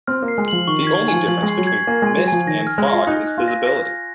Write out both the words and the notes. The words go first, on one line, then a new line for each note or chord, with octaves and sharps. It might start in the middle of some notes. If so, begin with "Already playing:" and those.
The only difference between mist and fog is visibility.
C4 F6
A#3
C7
G#3
F3 F#7
D#3 C#6
D#3 G#6
D#3
F3 G#5
F3 F#7
G#3
C7
F#3
G#6
A#3 G#5
G#3 G#5
F#3
F3 G#5
D#3 A#6
F6
G#3
F4 A#6
D#4 F#6
F#6
F4
A#6
A#6
A#6